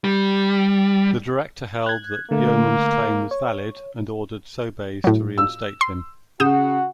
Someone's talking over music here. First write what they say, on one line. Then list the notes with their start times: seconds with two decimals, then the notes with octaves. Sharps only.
The Director held that Yeoman's claim was valid and ordered Sobeys to reinstate him.
0.04 G3
1.86 F#6 G#6
2.31 D3 A3 A#3
3.31 C#5
5.04 A2 F#3
5.38 E6
5.81 C6
6.40 C#3 F#4 F#5 D#6 G6 E7